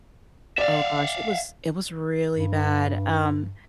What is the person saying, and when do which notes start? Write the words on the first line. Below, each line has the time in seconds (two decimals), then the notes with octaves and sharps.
oh gosh, it was it was really bad- um,
0.58 D5 E5 F5
2.35 G2